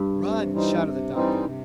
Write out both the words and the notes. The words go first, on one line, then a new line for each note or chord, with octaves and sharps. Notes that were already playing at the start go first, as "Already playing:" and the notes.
"Run!" shouted the doctor.
Already playing: G2
C3
E3 G3 C4 D#4
C3
E3 G3 C4 D#4
C3